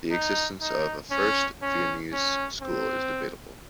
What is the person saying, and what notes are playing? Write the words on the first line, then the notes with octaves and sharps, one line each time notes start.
The existence of a "First Viennese School" is debatable.
D#4
D#4
C#4
C#4
C#4
C4